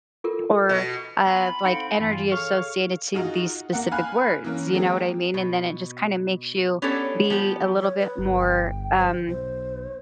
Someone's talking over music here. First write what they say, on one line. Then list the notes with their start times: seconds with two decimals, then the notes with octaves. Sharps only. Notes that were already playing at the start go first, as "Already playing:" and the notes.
or, uh, like, energy associated to these specific words, you know what I mean? And then it just kinda makes you be a little bit more, um,
0.24 F4 A4 A#4
0.69 B2
1.27 B3 F4 G#5 A#5 B5
1.65 C4 D#4 A4 F5 F#5 C#7 D7
1.99 G2 E3 F4 G#5
2.32 G#4 A4 C#5 F5 C#6 F6
3.14 D#4 F4 F#4 G#4
3.73 A#3 F#5
3.92 F5 G#5 B5 F6 F#6
4.44 E3 A#3 C#4
4.74 G#3 A#3 C4 G#4
5.34 B2
6.82 B3 C#4 D4 G4 A4 C#5
7.30 F3 B3 G4
7.80 C#5
7.99 B4
8.18 G1
8.39 G5
8.98 C5
9.28 B1 C5